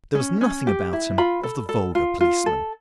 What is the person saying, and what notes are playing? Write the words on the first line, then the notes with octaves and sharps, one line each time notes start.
There was nothing about him of the vulgar policeman.
C#4
C#4
G4
E4
F4 B5
A4
A4
F4
F4
A4